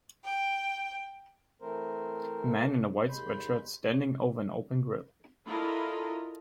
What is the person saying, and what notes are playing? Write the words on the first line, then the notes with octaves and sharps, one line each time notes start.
A man in a white sweatshirt standing over an open grill.
G5
E3 A3 C4 A#4 C5
D#2 G#3 B5 C6 G6
D4 E4 F4 A4 A#4 D#5